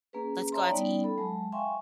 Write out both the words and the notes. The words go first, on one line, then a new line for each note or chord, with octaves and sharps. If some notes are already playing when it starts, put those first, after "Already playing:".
"Let's go out to eat."
A#3 C#4 G#4 B4
C#5 E5 A5 A#5 C6
G3 B3 C#4 D#4 D5 G5
A4 B5
F#3 G#3 A5
E5 F5 G5 G#5 C6 C#6